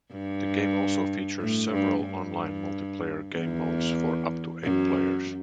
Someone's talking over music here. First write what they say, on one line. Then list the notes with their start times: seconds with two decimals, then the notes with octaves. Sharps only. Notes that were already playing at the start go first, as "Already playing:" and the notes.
The game also features several online multiplayer game modes for up to eight players.
0.12 G2
1.40 A2
1.72 G2
2.06 G2
3.34 E2
4.63 F#2